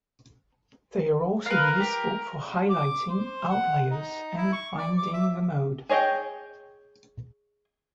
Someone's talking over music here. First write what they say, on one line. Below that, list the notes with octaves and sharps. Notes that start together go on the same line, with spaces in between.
They are also useful for highlighting outliers and finding the mode.
A#4 B4 F5
G4
D6
C5
F#5
D#4
E4
C#6
D5
D6
E5
G#4 C#5 D#5 F#5 G5